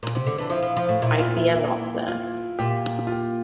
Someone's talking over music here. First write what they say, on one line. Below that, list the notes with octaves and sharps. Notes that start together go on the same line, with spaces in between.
I fear not, sir.
A#2
C3
D3
E3 D4
F3 E4
F3
F3
A2
A#2 E4
F4
E4
E4
F4
A#2 G4
F4
G4